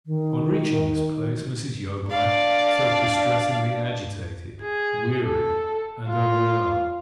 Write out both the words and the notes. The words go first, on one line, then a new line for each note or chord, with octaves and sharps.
On reaching this place Mrs. Yeobright felt distressingly agitated, weary, and unwell.
D#3
D4 D5 F5
G#4
A4
F4